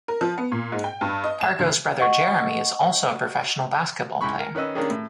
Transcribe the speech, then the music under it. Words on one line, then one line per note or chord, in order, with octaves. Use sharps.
Pargo's brother, Jeremy, is also a professional basketball player.
A#4
F3
B3
A#2
G#2
G5
G2
D#5
E7
D2
D#5 F#5 C#6
C#2 G#2 E4 B5 C#6
A#4
D#3 C#4 B4 D#5 E6
D#3 A#3 C#4 D4 G4 G#4
A2